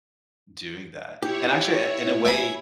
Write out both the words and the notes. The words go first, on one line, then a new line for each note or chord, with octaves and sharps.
doing that. And actually, i in a way,
E4 G4 C#5
E5 G#5 B5